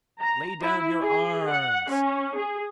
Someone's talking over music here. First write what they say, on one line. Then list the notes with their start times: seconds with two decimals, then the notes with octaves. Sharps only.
"Lay down your arms!"
0.20 A#5
0.61 E4
1.01 G#4
1.48 F#5
1.90 C#4
2.37 G#4